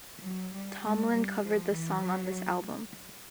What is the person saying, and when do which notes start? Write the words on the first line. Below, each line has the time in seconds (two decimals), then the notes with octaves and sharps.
Tomlin covered the song on this album.
0.23 F#3
0.52 G3
0.82 G#3
1.12 G3
1.41 F3
1.71 E3
2.00 F#3